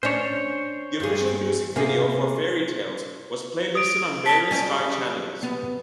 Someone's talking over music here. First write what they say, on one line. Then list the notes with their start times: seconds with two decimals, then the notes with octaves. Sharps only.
The official music video for 'Fairytales' was play listed on various Sky Channels.
0.03 C#4 D4 C5 C#5
1.00 G2 G#4
1.76 C3 A#3 G#4
3.75 D#6 D7
4.26 A5 B6
4.51 F#3 G3 C#4
5.43 B3